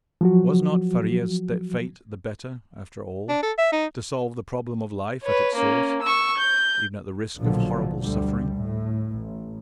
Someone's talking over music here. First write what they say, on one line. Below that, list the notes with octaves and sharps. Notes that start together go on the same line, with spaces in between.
Was not Faria's fate the better, after all--to solve the problem of life at its source, even at the risk of horrible suffering?
F3 F#3 F#4
D4
A4
E5
D#4
B4 C#5
A#3 C#4
C#6 E6
G6
A#1 B2 D3 F3 F#3
D2 D3 G3
A2
A1